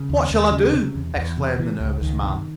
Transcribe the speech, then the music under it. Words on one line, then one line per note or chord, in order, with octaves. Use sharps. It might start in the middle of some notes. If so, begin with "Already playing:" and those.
"What shall I do?" exclaimed the nervous man.
Already playing: C#3
D#2
D#2
C#3
C3
E2
E2
C3
C3 E3
C#2
C#2 D#3
C3